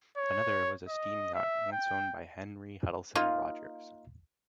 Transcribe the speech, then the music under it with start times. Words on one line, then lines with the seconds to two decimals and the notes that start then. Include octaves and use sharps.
Another was a steam yacht once owned by Henry Huttleston Rogers.
0.18 C#5
0.88 D#5
1.34 E5
1.73 G5
3.15 A#3 D#4 F4